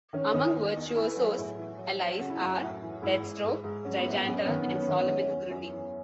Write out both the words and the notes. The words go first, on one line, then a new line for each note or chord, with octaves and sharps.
Among Virtuoso's allies are Deathstroke, Giganta, and Solomon Grundy.
D#3 C#4
D#3 D#4
E2
E2
E2 E4
B4
F#3
G#4
A2
E3
F#3
F#3
C#3 F#4
E4
F#2 F#4
A2
E3
G#2 E4
G#2
G#2
G#2
F#3 C#4
B3
A2
B3
F#2 B3
C#4
D#3 B3
C#4
B3
F#2 C#4
B3
D#3 C#4
B3
F#3 C#4
E2
F#2
E3